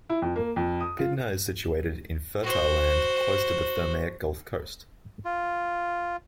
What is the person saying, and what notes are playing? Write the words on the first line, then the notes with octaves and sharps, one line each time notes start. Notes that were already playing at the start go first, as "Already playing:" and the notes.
Pydna is situated in fertile land close to the Thermaic Gulf coast.
E4
F2
A#3
F2
D#6
F4
F#4 C5
F4